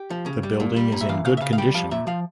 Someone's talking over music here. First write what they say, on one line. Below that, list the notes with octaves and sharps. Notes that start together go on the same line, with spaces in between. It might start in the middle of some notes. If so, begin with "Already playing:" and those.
The building is in good condition.
Already playing: G4
F3
C#3
G3
A#2
G3
A#2
E5
E3 F5
C#3 F5
E5
C#3 F5
F5
G3 G5
F3 F5
A#2 E5
F3 F5